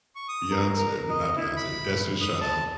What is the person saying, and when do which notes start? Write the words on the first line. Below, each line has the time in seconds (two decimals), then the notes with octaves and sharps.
Beyoncé but not Beyoncé, Destiny's Child.
0.15 C#6
0.28 D#6
0.51 A#4
0.78 A#4
1.09 D#5
1.36 E4
1.57 B5
2.21 D#6
2.41 A5